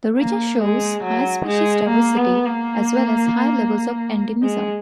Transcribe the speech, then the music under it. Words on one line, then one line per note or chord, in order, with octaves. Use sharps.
The region shows high species diversity as well as high levels of endemism.
A#3
G#3
F#3
G#3
A#3
B3
A#3
G#3